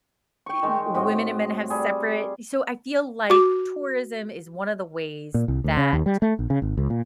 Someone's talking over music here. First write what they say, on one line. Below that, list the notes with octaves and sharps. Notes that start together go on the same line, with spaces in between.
eh women and men have separate so I feel like tourism is one of the ways that
G5 C#6
D#3 G#3
A2 C4 F#4 D#5
G3 G#4
F#4 D6
A#2
C2
D2
C#3
D#2
G3
A3
A#1
C#3
G#1
C#2
A#2